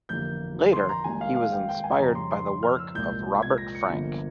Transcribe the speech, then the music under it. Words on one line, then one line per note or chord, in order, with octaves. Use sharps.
Later he was inspired by the work of Robert Frank.
G1 F2 E3 G3 A#3 G6
C6
A#5
G#1 G#2 G3 A#3 G#5
F5
F5
G5
G5
G#5
F2 C#3 G3 A#5
C6
C6
C6
F6
E6
C2 A#2 G#3 G6
G#6
A#6
C#7
G1 G2 F3 A#3